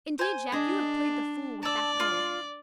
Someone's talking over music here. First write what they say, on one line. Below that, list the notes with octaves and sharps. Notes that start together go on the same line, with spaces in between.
Indeed, Jack, you have played the fool with that girl.
C5 G#5
D4 G#4 D#5
D5 A5 E6
F4 C6